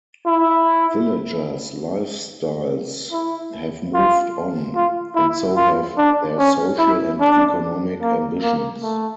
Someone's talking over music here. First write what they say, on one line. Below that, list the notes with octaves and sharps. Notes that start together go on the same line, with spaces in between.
Villagers' lifestyles have moved on and so have their social and economic ambitions.
E4
E4
F4
F4
E4
F4
D4
C#4
E4
D4
A#3
A#3
A3